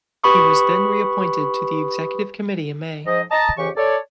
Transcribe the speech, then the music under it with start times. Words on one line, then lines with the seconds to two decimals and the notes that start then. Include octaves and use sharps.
He was then reappointed to the Executive Committee in May.
0.24 G4 B4 B5 C#6 D#6
3.06 G#2 F3 D#5
3.31 D#5 A5 A#5
3.57 F2 C#3 E3 G4 C#6
3.76 A4 C#5 D5